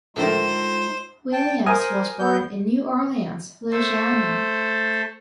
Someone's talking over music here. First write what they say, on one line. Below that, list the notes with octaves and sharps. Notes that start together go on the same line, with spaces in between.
Williams was born in New Orleans, Louisiana.
A2 D3 D#3 G#3 D#4 F4 C5
G5 A5
A#4 C5 G#5 D#6
B3 G6
A3 A4 C5